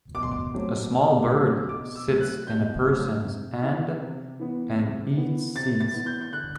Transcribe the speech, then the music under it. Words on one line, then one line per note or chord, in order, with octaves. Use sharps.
A small bird sits in a person 's hand and eats seeds.
B2 D6
C6
D6
F#3 A3 C4
B2
F#3 A3 C4
B2 D6
E6
F#3 A3 C4
F#6
B2 G6
F#3 A3 C4
C3
E3 B3
C3
E3 B3
C3
E3 B3
C3 A6
A6
E3 B3
G6
G6
D3 F#6